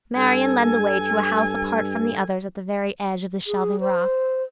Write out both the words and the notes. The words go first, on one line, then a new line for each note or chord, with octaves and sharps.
Marian led the way to a house apart from the others at the very edge of the shelving rock.
G2 A4 G#5
G#4
C5